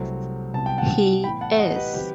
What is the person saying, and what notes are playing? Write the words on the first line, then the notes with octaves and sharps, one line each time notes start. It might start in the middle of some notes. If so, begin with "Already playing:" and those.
He is.
Already playing: C2 C3 F#3 A3 C4
C2 C3 F#3 B3 A5
G5
F#5 A5
A2 E3 B3 G5 B5
F#5 A5
D#5 F#5
G4 B4
D#3 F#3 C4 G4 B4